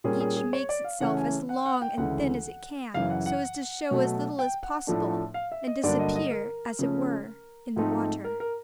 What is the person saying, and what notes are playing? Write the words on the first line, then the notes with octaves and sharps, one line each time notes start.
Each makes itself as long and thin as it can, so as to show as little as possible, and disappear, as it were, in the water.
A#2 G3 A#3 C#4 G#4
G#4
G#4
C#5
D5
F5
C#3 E3 A3 C#4 F#5
G#5
F#5
F#5
G5
D2 C#3 E3 G#3 F#5
F#2 C#3 E3 F5
F#5
F#5
B2 F#3 A3
G5
F#5
A2 F3 A3 D4
F5
E5
D#5
G2 D3 F#3 A#3 D4 D5
D#5
D#5
A#4
C#3 F3 A3 C#4
G#2 F3 A3 C4 D#4
A#4
A#4